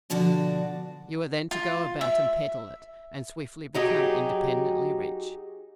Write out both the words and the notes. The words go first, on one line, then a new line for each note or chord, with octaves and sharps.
You are then to go about and peddle it, and swiftly become independently rich.
B2 D3 F3 D4 F#4
F4
E5
F#3 D#4 G4 G#4